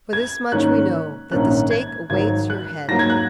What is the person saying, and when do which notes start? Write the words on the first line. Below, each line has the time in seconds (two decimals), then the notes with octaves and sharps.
For this much we know, that the stake awaits your head.
0.13 G#6
0.52 G#2 D#3 A#3 C#4 F#6
1.31 A#1 G#2 D#3 A#3 C#4 F#6
1.71 G#6
2.10 G#1 G#2 F#3 G#6
2.50 F#6
2.88 G#2 F#3 A#3 A#6
2.99 G#6
3.10 F#6